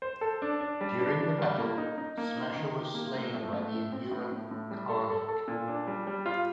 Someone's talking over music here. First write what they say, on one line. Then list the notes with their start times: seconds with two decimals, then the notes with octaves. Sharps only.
During the battle, Smasher was slain by the Inhuman Karnak.
0.02 C5
0.21 A4
0.42 D4
0.61 D4
0.81 G3
0.99 D4
1.19 D4
1.38 G3
1.58 A#3
1.78 D#4
1.98 D#4
2.17 A#3
2.37 D#4
2.56 D#3
2.75 G4
2.94 A#3
3.15 A2
3.34 A3
3.53 A3
3.73 A2
3.92 C4
4.11 A2
4.32 A2
4.51 A2
4.71 G3
4.89 A4
5.10 A4
5.29 A4
5.48 A#2
5.68 D4
5.87 G3
6.07 G3
6.26 F4